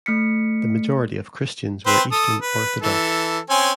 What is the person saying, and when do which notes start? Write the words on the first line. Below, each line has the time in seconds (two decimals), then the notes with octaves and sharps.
The majority of Christians were Eastern Orthodox.
0.06 A3 F6 B6 C#7
1.86 C4 B4 C5
2.12 A4 D#6
2.42 B4
2.82 E3 A4
3.50 C4 C#4 G#5